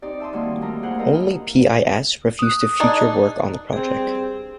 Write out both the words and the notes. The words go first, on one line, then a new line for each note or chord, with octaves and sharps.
Only PiS refused to future work on the project.
C4 D#4 G4 D5
E5 A5 C6 D#6
D#3 F#3 G3 A#3 C4 C6
D2 A3 D4 A#4 A#5
E4 F4 G#4 C5 F#5
G3 A#3 E4 A4 A#4 D#5
D#6 F#6
D4 D#4 G#4
G2 C4 G#4